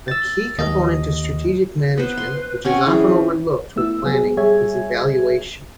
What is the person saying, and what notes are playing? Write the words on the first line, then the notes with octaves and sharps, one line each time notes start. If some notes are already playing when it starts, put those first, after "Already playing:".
A key component to strategic management which is often overlooked when planning is evaluation.
E6 A6
D#2 D#5
B3 B4 C5
C6
C4 C#4 F#5 G#5
E3 G#4
A3 B3 E4 E6
F#3 B3 G#4
G3 G#4 C#5 E5 G#6